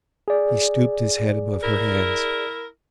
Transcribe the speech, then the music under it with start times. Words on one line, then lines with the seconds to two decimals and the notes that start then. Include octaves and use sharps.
He stooped his head above her hands.
0.28 G#4 D5
1.63 E4 A#4